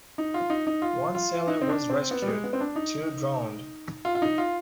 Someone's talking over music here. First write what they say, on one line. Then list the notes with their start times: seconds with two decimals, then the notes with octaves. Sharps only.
One sailor was rescued; two drowned.
0.18 D#4
0.34 F4
0.50 D#4
0.67 D#4
0.82 F4
1.15 F4
1.47 D#4
1.62 C4
1.69 D4
1.90 C4
2.11 B3
2.22 G3
2.28 G#3
2.44 B3
2.53 C4
2.60 D4
2.76 D#4
4.05 F4
4.15 F4
4.22 D#4
4.38 F4